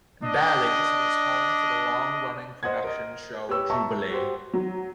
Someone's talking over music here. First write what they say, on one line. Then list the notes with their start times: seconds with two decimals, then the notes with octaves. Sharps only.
Bally's was home for the long-running production show Jubilee!
0.23 D4 D#5
2.63 C5 D#5 F#5 G#6
2.84 A#4 D#5
3.49 G4 B4 C#5 E6
3.70 E5 A5 A#5 C#6
4.10 F#4 G4 C5
4.54 F#3